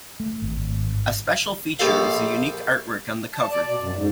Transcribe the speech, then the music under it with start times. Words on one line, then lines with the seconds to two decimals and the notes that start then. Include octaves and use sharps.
A special feature is the unique artwork on the cover.
0.20 A3
0.42 G#1
1.79 A#1 G4 A4 F5
3.35 A5
3.50 D5
3.66 B2
3.80 F#2
3.95 G#2